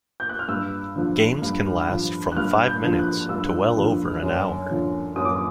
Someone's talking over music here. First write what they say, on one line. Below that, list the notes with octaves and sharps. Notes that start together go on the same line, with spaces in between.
Games can last from five minutes to well over an hour.
G6
F#6
F6
G2 E6
D3 F3
G2
D3 F3
F#6
G2 F6
G6
D3 F3
F#6
G2 E6
D3 F3
F#2
D3 F3
F#2 D#6
D6
D#6